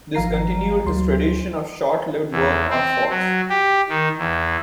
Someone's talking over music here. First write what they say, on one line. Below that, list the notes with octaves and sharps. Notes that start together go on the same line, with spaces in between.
This continued his tradition of short-lived work on Fox.
G#1 F3 F5 A#5 C7
D2 F#3 C6
E2
C4
F#3
G4
D#3
E2